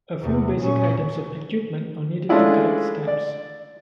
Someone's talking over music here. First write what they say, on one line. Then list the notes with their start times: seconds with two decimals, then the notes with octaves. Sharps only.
A few basic items of equipment are needed to collect stamps.
0.22 E2 C3
0.59 A#2 C#4
2.29 G#3 A3 C#4 D4 E4 F4
3.07 D5